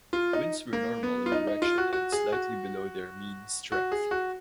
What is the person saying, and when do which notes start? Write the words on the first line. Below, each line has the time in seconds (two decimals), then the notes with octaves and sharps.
Winds were normal in direction and slightly below their mean strength.
0.13 F4
0.33 D#4
0.73 A#3
1.03 B3
1.26 F4
1.32 D#4
1.47 D#4
1.62 F4
1.78 F#4
1.93 F#4
2.12 G#4
2.32 F#4
3.72 F#4
3.92 G#4
4.11 F#4